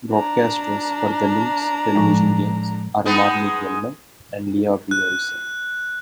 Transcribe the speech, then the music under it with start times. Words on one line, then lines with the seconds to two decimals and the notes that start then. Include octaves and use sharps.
Broadcasters for the Lynx television games are Marney Gellner and Lea B. Olsen.
0.11 D4 A#5
1.95 A2 F3 G#3
3.06 G#3 B3 D#4
4.91 F#6